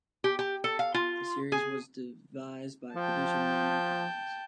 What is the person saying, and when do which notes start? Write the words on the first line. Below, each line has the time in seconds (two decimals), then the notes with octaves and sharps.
The series was devised by producer Norman Collins.
0.24 G4
0.39 G4
0.64 A4
0.79 F5
0.94 F4
1.52 G#4
2.95 F3 G5 A5